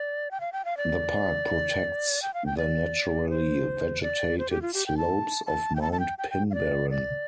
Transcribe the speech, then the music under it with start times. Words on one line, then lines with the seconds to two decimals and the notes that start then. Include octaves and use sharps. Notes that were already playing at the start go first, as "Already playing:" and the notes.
The park protects the naturally vegetated slopes of Mount Pinbarren.
Already playing: D5
0.31 G5
0.41 F5
0.53 G5
0.65 F5
0.77 D5
2.22 G5
2.34 F5
2.46 G5
2.57 D5
3.29 C5
4.02 D5
4.38 C5
4.50 G4
4.62 F4
4.74 G4
4.86 G5
4.97 A5
5.46 A5
5.76 G5
5.81 A5
5.92 A5
6.00 G5
6.18 G5
6.30 G5
6.50 F5
6.54 D5
6.90 D5